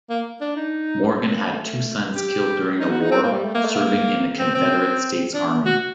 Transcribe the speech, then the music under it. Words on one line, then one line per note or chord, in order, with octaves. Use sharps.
Morgan had two sons killed during the war serving in the Confederate States Army.
A#3
D4
D#4
C4
A#3
A3
G4
D#4
F#4
D#4
C4
A#3
G3
A3
A#3
A3
A#3
C4
C4
D4
F#4